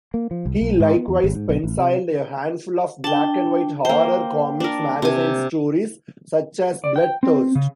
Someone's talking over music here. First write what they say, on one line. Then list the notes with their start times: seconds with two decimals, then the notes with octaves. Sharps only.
He likewise penciled a handful of black-and-white horror-comics magazine stories, such as Blood Thirst!
0.14 A#3
0.31 F3
0.45 C2
0.61 B1
0.80 G#2
0.96 B3
1.08 E2
1.24 G#1
1.35 G#2
1.49 B1
1.64 A1
1.78 C3
3.04 D4 G5 A5
3.85 A#3 C5 G5
4.60 D4 A#4
5.02 C3 G#5
6.84 D5
6.96 G5
7.23 C4
7.55 C#3